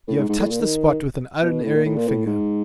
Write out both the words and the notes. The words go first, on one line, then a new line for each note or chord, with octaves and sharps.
'You have touched the spot with an unerring finger.
A2
G#2
G#2
A2
A#2
D#3
B2
A2
A#2
A2
A#2
A2
G#2